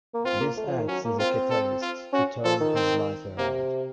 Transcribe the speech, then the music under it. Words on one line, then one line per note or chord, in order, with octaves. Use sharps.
This acts as a catalyst to turn his life around.
A#3
C4 F4
A#3
A3
F3
D#3
F#3 C#4
A#3
C4 F4
A4
F4
C#4 F#4
F3 A4
D#3
C4
C3 A#3